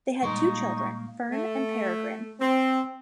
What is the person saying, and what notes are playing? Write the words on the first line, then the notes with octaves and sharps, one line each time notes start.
They had two children, Fern and Peregrine.
A#2 G3 G#3 A#3 D#4 C6 C#6
A3
C4